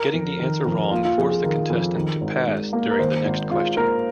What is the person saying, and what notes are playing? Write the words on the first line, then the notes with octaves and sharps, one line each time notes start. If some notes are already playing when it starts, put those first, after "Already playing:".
Getting the answer wrong forced the contestant to pass during the next question.
Already playing: A#4
F2
D#3
F2
A#3 F4
F4
F2 G#4
G#4
D#3 A#4
F2
D#3
G#1
G#2
A#3
A#4
D#3 C5
G#1
G#2 F4
A#3 A#4